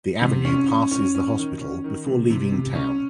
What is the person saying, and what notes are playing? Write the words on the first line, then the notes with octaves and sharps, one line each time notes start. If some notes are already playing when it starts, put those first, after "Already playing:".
The avenue passes the hospital before leaving town.
C3
C#4
C#4
C#4
C#4
D#3
C#4
D#3
C3
C3
C3
C#4